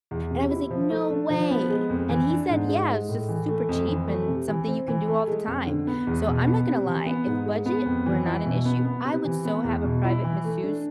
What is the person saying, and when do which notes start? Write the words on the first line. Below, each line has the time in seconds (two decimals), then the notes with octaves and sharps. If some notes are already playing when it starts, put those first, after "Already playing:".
and I was like, "No way!" And he said, "Yeah, it's just super cheap and something you can do all the time." So I'm not gonna lie, if budget were not an issue, I would so have a private masseuse,
0.11 E2
0.31 C3
0.51 E4
0.71 F3
0.90 A3
1.11 D4
1.30 F3
1.51 B3
1.70 G#3
1.90 F2
2.09 E3
2.29 D4
2.50 G#2
2.69 G#3
2.89 G#3
3.09 A2
3.29 E3
3.49 A3
3.69 F2
3.88 E3
4.08 A3
4.28 C3
4.48 E3
4.68 C4
4.88 E3
5.08 A3
5.28 G#3
5.47 F2
5.67 D3
5.87 B3
6.07 E2
6.27 B2
6.47 B3
6.66 C3
6.87 E3
7.06 B3
7.27 G#2
7.46 G#3
7.66 B3
7.86 F2
8.06 E3
8.26 E4
8.45 B2
8.65 B3
8.85 B3
9.05 C3
9.25 E3
9.45 B3
9.64 E2
9.84 B2
10.05 E4
10.24 E3
10.44 A3
10.64 D4